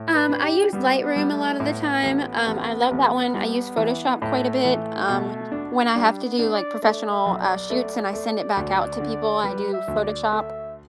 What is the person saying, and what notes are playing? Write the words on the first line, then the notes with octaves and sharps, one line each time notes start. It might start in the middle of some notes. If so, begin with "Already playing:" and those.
Um, I use Lightroom a lot of the time, um, I love that one, I use Photoshop quite a bit, um, when I have to do, like, professional, uh, shoots, and I send it back out to people, I do Photoshop,
Already playing: A2
B4
D4
G4
G3 B3
B3
G3
A3
A2 B3
A1
A1
A1
G3
E3
A2 A3
E3
B2
D4
G3 D4
B3
D4
D5
A3 D5
E5
B1
D5
A3
A3
D2
D3
G3 B4
E5
D2
D5
A3 E5